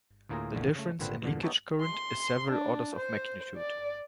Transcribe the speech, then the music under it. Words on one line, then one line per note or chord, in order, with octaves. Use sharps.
The difference in leakage current is several orders of magnitude.
D2 A2 A#3 F4 G#4 A#5
A#1 E2 A#2 D3 A3
C#3 A3
G#1 A#2 D3 C4 B4
E2 G2 A#2 D3
B3 D#4 E4 G4 C#5 A5
C6
D4
C5
D5